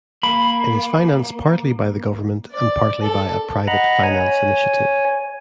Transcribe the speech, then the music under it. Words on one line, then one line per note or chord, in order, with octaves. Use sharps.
It is financed partly by the government and partly by a private finance initiative.
A#3 B5
D5
A4
D#5 F#5 A#5 B5
C#5 G#5